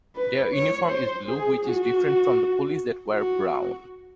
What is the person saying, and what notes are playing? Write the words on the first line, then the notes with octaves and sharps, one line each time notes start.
Their uniform is Blue which is different from the Police that wear Brown.
B4
C#5
C5
G#4
F#4
F#4